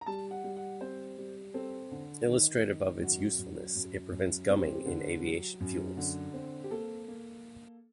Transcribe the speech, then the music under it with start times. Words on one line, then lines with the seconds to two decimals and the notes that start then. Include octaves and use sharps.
Illustrative of its usefulness, it prevents gumming in aviation fuels.
0.01 A#5
0.06 G3 A5
0.31 F#5
0.44 G3
0.57 F#5
0.81 C4 C5
1.18 G3
1.54 C4 A4
1.91 D3
2.28 D#3
2.66 D#3
3.01 F#2 F#4
3.39 F#2
3.76 F#2
4.12 F#2
4.49 C4 G4
4.86 D3
5.24 F#3
5.60 F#2
5.97 D3
6.34 C4
6.64 G4
6.71 A#3 A4
7.08 A#3